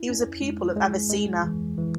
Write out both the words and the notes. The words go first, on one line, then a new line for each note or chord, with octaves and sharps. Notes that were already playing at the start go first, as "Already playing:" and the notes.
He was a pupil of Avicenna.
Already playing: E4
C#4
G#3
G#3
G#3
E3
E3